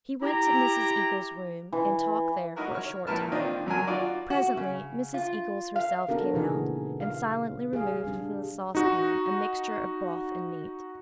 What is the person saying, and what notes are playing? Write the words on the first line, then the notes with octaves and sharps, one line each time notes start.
He went to Mrs. Eagles' room and talked there for a short time. Presently Mrs. Eagles herself came out and silently removed from the saucepan a mixture of broth and meat.
E4 G4 A#5
E3
D#4 E4 F#4 A#4
C#5 C#6 F6
A#1 E4 A#4 B4 A5 F6
D#3 A#3 C4 D4 D#4 F4
F#2 F#3 A#4 G#5
D#4 F4 F#4 D5
F#4
C#3
F4
F5
B3 D4 F#4 A4 A#4
A#2 C#3 E3 D#4 G#4
F5
G#4 F5
G3 D4
D#4 F#4